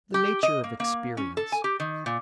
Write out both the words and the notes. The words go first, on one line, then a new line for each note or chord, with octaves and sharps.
The Nature of Experience.
G4
D#5
A#3
A#3
C#4
A4
G#5
G4
D#3
A#2